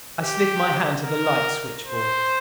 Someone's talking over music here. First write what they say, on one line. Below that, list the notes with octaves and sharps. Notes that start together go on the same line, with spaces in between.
I slid my hand to the light switchboard.
G4
A#4
C5